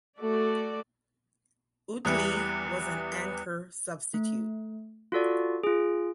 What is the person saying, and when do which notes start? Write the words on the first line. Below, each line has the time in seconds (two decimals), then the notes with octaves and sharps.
Utley was an anchor substitute.
0.19 A3 F#4 A4 D5
2.05 E2 E3 G3 D#6 F#6 C#7
4.14 A3
5.12 F4 F#4 A4 D5
5.64 F4 G#4